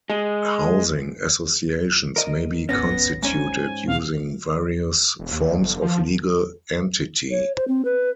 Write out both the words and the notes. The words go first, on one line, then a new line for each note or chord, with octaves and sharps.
Housing associations may be constituted using various forms of legal entity.
G#3
A#4 D#5
D1 G#1 D#2 B3 C#4 A#6
G#2 C#4 G#5
D2 B2 C4 F5
E1
D#2
G1
F3
C#5
C5
C4
B4